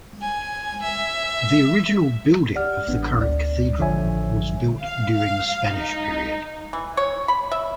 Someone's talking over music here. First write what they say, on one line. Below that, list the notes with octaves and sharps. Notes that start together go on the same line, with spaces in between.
The original building of the current cathedral was built during the Spanish period.
G#5
E5
G4 D5 F#5 F6
A1 B3 D4
D2 D5
A1 D3 F3 C#5 E5 G#5
F5
F5
D#4
E3
C#5
B5
E5